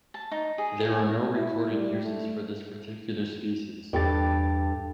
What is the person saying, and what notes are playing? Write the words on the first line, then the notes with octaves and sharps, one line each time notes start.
There are no recorded uses for this particular species.
A5
D#4
G#4
G#5
E4
G3
A3
E2 G2 G4 A4 A6